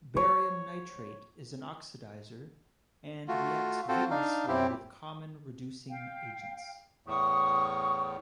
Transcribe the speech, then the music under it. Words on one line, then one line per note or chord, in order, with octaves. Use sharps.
Barium nitrate is an oxidizer and reacts vigorously with common reducing agents.
C#5
A3 F4 F#4
C4 F4 F#4 A4 C5
D4 D#4 F5
F#2 C4 E4 G4
F5 G5
E2 A2 C#6 D#6